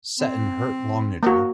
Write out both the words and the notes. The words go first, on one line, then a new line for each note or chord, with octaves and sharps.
Seton hurt Longniddry.
C4
A#3 F#4